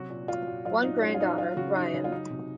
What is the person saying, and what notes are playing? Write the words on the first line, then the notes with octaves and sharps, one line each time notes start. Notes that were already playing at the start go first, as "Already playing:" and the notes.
One granddaughter, Ryan.
Already playing: C3 F#3 F#4
A#2
F#3 F4
A#2
F#3 F4
A#2 D#4
F#3 C#4
F4
A#2 D#4
F#3 F4
C#3 F#4
F#3 D#4
C#3 C#4
F4
F#3 D#4
C3